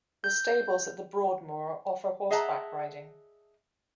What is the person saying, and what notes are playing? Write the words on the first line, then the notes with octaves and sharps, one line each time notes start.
The Stables at the Broadmoor offer horseback riding.
G6
G#4 D#5 E5 F#5 A5 A#5